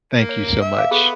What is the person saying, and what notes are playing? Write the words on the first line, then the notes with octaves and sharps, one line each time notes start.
Thank you so much.
A#3
C#5
E5
B4 F5 D6
B3 G#4 A4